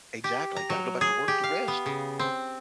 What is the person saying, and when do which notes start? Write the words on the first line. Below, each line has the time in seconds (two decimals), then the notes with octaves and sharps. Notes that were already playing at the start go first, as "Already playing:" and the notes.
Exactly. Gotta go back to work to rest.
0.24 G4
0.56 A#5
0.70 F#3
1.01 G#4
1.28 G4
1.44 F5
1.68 B3
1.86 C#3
2.19 C4